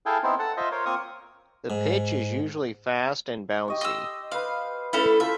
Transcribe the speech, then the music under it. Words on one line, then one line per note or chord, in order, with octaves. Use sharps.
The pitch is usually fast and bouncy.
E4 G#4 A4 F5 G5 G#5
B3 C4 D#4 E4 C5
A4 F#5 A5
F4 C5 D#5 E5
F4 A#4 C5 C#5 F5
A#3 C4 F4 A#4 C#6 D#6
G#2
G4 D#5 C#6
D#5 C6 E6
B4 C5 F5
A3 C#4 E4 A4 B4
F4 A4 C5 E5